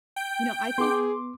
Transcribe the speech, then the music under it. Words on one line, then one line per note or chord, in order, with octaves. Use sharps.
you know, I think
G5
B3 G#4 C6 D6